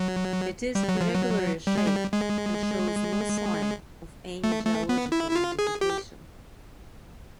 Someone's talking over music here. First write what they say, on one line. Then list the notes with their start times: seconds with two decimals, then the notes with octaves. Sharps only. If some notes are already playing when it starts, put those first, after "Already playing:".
It is irregularly shaped and shows no sign of any geological modification.
Already playing: F#3
0.75 G3
0.88 F#3
1.01 F3
1.14 F#3
1.67 G3
1.78 G#3
1.88 G3
2.13 G#3
4.44 A3
4.66 A3
4.89 B3
5.12 E4
5.31 E4
5.36 F4
5.59 G#4
5.81 G4